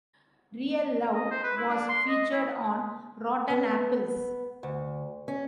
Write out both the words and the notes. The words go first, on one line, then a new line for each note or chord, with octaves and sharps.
"Real Love" was featured on "Rotten Apples".
D#5
C5
B4
E4
D4
C6
D#5
E4
B3
D2
C#4